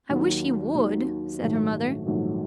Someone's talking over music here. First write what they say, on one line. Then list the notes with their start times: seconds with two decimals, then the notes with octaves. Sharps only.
"I wish he would!" said her mother.
0.09 D#2 D#3 F#3
0.74 D#2 D#3 F#3
1.41 A#1 G#2 D#3 F#3 A3
2.06 A#1 G#2 D#3 F#3 A3